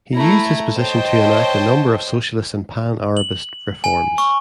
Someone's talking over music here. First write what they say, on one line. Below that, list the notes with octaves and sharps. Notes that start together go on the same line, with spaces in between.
He used his position to enact a number of socialist and Pan-Arabist reforms.
A3 E4 A#5
C5 C#5 D#5 G5 A5
F#7
G#5
C#6